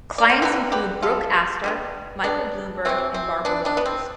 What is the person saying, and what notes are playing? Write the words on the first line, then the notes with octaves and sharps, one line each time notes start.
Clients include Brooke Astor, Michael Bloomberg, and Barbara Walters.
D5
C5
D3 G3 B3 G4 B4
G4 B4
F4 A4
D3 G3 B3
B3 D4
C3 E3 A3 C4
C4
B3 D4
B3 D4
B3
C4